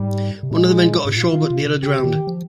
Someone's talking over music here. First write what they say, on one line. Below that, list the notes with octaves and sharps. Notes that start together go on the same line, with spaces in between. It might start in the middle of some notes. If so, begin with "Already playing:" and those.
One of the men got ashore but the other drowned.
Already playing: G#2 G3
C3
A#2 G#3
G#2
A#2 F4
D#3
C3
C3
C#3 G4
C#3
D#3
F3